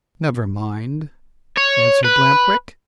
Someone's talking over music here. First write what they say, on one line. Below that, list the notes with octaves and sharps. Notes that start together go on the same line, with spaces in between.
"Never mind," answered Lamp-Wick.
C#5
B4